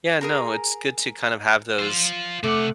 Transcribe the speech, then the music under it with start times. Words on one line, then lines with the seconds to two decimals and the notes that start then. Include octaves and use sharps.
Yeah. No. It's good to kinda have those
0.21 G#4 A#4 A#5
1.79 F4 C5
2.44 C3 A3 F#5 D6